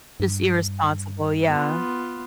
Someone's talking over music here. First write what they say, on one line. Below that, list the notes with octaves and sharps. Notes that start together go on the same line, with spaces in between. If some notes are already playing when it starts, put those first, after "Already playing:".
Just irresponsible, yeah.
G2
B3 F4